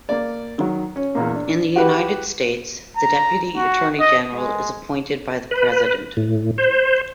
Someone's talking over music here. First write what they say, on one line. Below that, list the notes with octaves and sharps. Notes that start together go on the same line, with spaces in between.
In the United States, the Deputy Attorney General is appointed by the President.
A#3 D5
D#3 F#3
C#4
E2 A#2 A#3
D4
F#4 G4 B4
A#5
F#4
D#5
G#3
B4
A2
C5